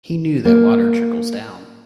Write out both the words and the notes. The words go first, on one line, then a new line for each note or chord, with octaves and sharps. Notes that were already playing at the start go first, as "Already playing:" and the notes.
He knew that water trickles down.
A#3